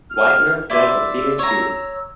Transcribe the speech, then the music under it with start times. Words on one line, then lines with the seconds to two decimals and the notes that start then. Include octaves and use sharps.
Whiteman stirs the steaming stew.
0.09 F6
0.70 E4 D5 C6 E6
1.39 C#5 A#5